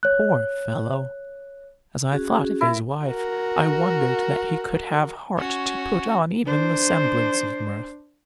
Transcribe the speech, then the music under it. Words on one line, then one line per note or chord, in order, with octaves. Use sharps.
Poor fellow!--as I thought of his wife, I wondered that he could have heart to put on even the semblance of mirth.
C#5 F#6
C#4 F#4 G#4
E4 A#4
F#4 A#4
C#4 F#4
D4 C5